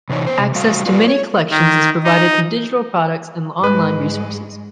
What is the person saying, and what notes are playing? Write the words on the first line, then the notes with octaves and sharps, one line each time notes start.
Access to many collections is provided through digital products and online resources.
C3 E3 D#4 C#5
B3 C5
C3
G3 A3 F#4 F5
F4 F#4 B4 D5 F5
C#5
D#3
D#4
G#2 G#3 B4